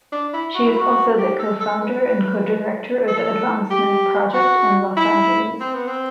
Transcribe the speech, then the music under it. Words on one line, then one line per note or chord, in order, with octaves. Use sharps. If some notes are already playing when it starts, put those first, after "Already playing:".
She is also the co-founder and co-director of the Advancement Project in Los Angeles.
D4
E4
F#4
E4
F#4
G4
A4
A4
B4
A4
G4
F#4
E4
C4
B3
C4